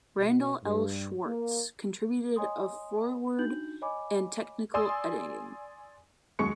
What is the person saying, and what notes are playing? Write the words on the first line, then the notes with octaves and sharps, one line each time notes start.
Randal L. Schwartz contributed a foreword and technical editing.
B2
G2
A#3
C#5 D#5 G#5 C6 D#6
D4 D#4 F#4 G6 F#7
C#5 D#5 G#5 B5 D6
D5 G#5 C6 D#6 E6
D#2 F#3 G#3 C#6 C#7